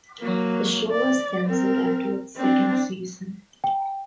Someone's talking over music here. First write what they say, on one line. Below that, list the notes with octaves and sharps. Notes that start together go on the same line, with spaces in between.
The show was cancelled after its second season.
F#3 A#3
D5
C4 A#4
C4 D4
G5